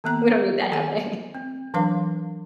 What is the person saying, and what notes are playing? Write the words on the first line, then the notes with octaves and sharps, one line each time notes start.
We don't need that happening.
D#3 A#3 B3 A#5
D#3 G#4 G#5
C4
E3 F#3 D4 B4 F5 D6